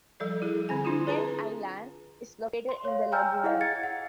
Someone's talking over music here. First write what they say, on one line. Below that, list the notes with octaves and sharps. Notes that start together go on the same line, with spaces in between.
Kent Island is located in the lagoon.
F3 G3 A4 D5
E4 G#4
D3 C4 G#5
D4 E4 F4
G#4 B4 A5 A#5
C6
C#5 F5
G5 G#5 A#5 E6 F6 G6
E4 G#4 D#5 F5 F#5
G#6 A6 C#7
F#5